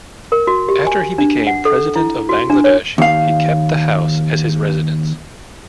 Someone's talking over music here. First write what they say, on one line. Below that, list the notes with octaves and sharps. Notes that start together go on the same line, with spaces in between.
After he became President of Bangladesh, he kept the house as his residence.
A#4
F#4
G4
G#5
D4
F#5
A4
E4
F#4
D4
C#5
D#2 F5